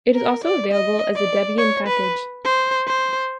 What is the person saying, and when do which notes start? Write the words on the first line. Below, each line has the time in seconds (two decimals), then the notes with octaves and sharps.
It is also available as a Debian package.
0.15 A#4
0.44 D5
0.72 D#5
1.15 D5
1.58 C#5
1.87 B4
2.44 C5
2.87 C5